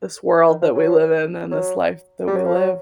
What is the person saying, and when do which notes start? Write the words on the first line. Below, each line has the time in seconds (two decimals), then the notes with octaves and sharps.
this world that we live in, and this life that we live.
0.49 D#3
0.62 F3
0.75 F#3
1.51 F#3
2.27 G3
2.37 F#3
2.45 F3
2.55 F#3